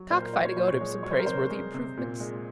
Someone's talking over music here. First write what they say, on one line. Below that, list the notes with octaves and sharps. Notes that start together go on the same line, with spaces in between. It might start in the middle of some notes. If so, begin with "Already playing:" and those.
Cockfighting owed him some praiseworthy improvements.
Already playing: F#3
A#2 C5
A#4
F#3 C5
C#5
A#2 C5
C#5
G#3
F#3 C#5
C5
A#4
C3 C5
G#3
C3
A#2
G#3